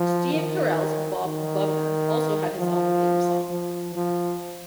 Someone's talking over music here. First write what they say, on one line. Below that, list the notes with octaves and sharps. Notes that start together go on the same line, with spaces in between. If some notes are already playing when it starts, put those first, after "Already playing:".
Steve Carell's Bob Bummer also had his own theme song.
Already playing: F3
D#3
D#3
F3
F3
F3